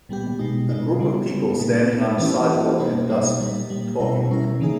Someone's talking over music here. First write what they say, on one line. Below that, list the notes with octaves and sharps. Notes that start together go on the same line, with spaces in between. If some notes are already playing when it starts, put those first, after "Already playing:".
A group of people standing on a sidewalk at dusk talking.
A#2 G3 B3 G4
B2 G#3 D#4
B2 G#3 D#4
C#3 G3 B3
C#3 G3 B3
A#2 A#3 D#4
A#2 A#3 D#4
E3 A#3 C#4 E4 G4
E3 A#3 C#4 E4 G4
B2 G3 A#3 D#4
B2 G3 A#3 D#4
A#2 G3 A#3
A#2 G3 A#3
B2 G3 C#4 E4 A#4
B2 G3 C#4 E4 A#4
C#3 E3 A#3 D#4 G#4